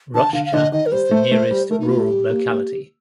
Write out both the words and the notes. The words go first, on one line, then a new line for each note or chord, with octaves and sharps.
Roshcha is the nearest rural locality.
D3 A5
D3 F5
F5
D3 D#5
D#3 D#5
A#4
G3 C5
A3
A3
G3
A3 A#4
A#3 D#4
F4
A3 G4
G3
A#3
A#3